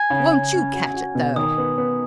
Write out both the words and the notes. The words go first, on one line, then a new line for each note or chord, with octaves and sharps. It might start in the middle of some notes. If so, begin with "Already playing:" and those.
"Won't you catch it though!"
Already playing: G#5 G#6
C#3
C#3
C#4
F#4
F#4
B2
D#3 D#6
B3
B3